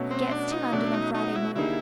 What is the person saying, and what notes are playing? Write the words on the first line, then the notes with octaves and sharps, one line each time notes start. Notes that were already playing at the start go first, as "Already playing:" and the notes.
He gets to London on Friday morning.
Already playing: B2 F#3 A3 C#4 F#4
C4
D4
D#4
B2 F#3 A3 C#4 D4 F#4
D#4
D#4
E4
D3 G3 A#3 D#4 E4 G#4